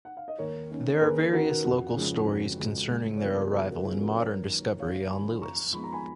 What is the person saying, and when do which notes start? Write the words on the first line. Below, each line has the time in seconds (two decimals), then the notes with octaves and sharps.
There are various local stories concerning their arrival and modern discovery on Lewis.
0.05 F#5
0.17 F5
0.28 D#5
0.38 D#2 A#4 C#5
0.71 D#3 A#3 C#4
0.97 A#4
1.01 D#2 G#4 B4
1.33 D#3 A#3 C#4 F#4 A#4
1.64 F2 F#4
1.96 C#3 F3 G#3
2.27 F2
2.59 C#3 F3 G#3
2.91 C#2
3.16 C#5
3.22 C#3 F3 B3 B4
3.35 A#4
3.45 G#4
3.53 C#2 F#4
3.69 F#4 A#4
3.84 C#3 F3 B3 F4 G#4
4.01 F#4 A#4
4.16 F#2 A#4 C#5
4.48 D#3 A#3
4.79 F#2 C#5 F5
5.10 D#3 A#3 G#5 B5
5.42 F2 A#5 C#6
5.73 F3 G#3 B3 B5
5.84 A#5
5.93 G#5 B5